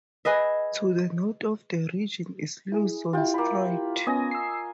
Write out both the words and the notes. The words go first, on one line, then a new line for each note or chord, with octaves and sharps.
To the north of the region is Luzon Strait.
G#4 B4 D#5 E5
E4 G#4
E4 F4 G4 G5
A#3 B5
B3 C#4 D#5 G#5 A#6
E6 C7